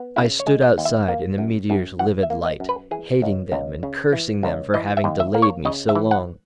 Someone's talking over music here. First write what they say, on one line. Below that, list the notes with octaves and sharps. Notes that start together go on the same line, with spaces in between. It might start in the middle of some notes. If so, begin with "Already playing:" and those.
I stood outside in the meteor's livid light, hating them and cursing them for having delayed me so long.
Already playing: B3
C#3 E4
C#5
G#3
D#5
D#2
E5
A#3
F#2
F#2
E3 F#5
E5
A#3
D#5
F#2
B4
E3 G#4
C#2
C#2
C#3
E3
C#2
E3 D#5
E5
D#2
E5
A#3
C#5
C#3 D#5
E5
E3
F#5